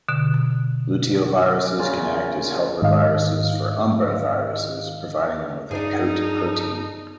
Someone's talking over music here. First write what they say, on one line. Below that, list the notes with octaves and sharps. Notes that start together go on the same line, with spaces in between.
Luteoviruses can act as helper viruses for Umbraviruses, providing them with a coat protein.
B2 D3
A#2 C#3 F4
G#2 D#3 D#5 F5
G2 D4 D#4 G#4